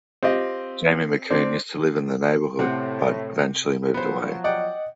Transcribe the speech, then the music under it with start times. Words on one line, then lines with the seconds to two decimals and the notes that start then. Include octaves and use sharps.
Jamie Macoun used to live in the neighbourhood, but eventually moved away.
0.23 C4 F4 G4 D#5
1.30 C4 D4
2.59 A2 C3 C4 F#5
3.94 F3 F#3 B3 C5
4.44 D5 D#5 F#5 G5